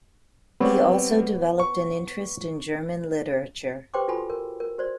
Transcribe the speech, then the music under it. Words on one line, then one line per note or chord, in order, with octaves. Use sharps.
He also developed an interest in German literature.
G3 B3 C4 C#5 D5
C#6
G4 B4 C5 G5 C6 D6
F4 F#4 A4 G#5 B5
A#4
A#4
F#4 C5 D5